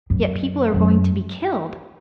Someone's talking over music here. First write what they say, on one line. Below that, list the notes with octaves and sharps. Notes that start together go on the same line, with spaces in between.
Yet people are going to be killed.
F#2
F#2